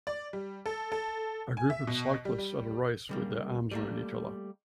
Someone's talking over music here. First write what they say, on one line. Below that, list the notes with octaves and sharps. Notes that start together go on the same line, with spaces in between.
A group of cyclists at a race with their arms around each other.
D5
G3
A4
A4
G#5
E5
B2
G3
G3
C#3 G3 A#3
G3 A3 A#3